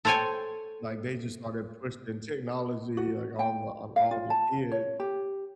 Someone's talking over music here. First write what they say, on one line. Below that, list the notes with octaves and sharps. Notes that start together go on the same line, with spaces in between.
like, they just started pushing technology, like, on the on all the kids,
A4 C5 C#5 G5 G#5
F#4
G5
F5
F4
A5
C#5
G4